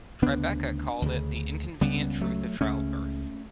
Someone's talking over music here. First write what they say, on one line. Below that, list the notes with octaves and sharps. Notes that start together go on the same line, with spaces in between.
Tribeca called it "The Inconvenient Truth of Childbirth".
D2 C#3 B3 D4
D2 C#3
C#2 C#3 G3 B3
F#3 A3
C#2 C#3 A3 C#4